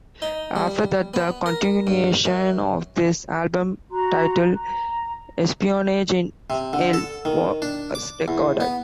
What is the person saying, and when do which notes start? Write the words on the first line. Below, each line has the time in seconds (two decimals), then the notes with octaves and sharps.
After that the continuation of this album titled "Espionage in Hell" was recorded.
0.22 D#4
0.56 G3
1.14 B3
1.46 A#4
1.87 G2
2.25 F#2
3.91 F#4 A#5 C6 F#6
4.54 A#5
6.50 C3
6.73 D3
6.93 A4
7.25 D#3
7.62 D4
7.95 D6
8.28 E2
8.60 B3